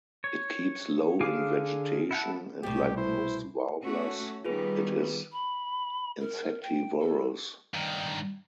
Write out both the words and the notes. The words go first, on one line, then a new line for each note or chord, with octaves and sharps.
It keeps low in vegetation, and, like most warblers, it is insectivorous.
C#5
D3 G#4 F5 G#5 D6
E4 F#5 A5
C2 B2 A3 G4
E4 C5
A3 C#4 F#4
D#3 G3 B3 F4 G#4 B4
B5
A#4
G5
A4
G2 D#3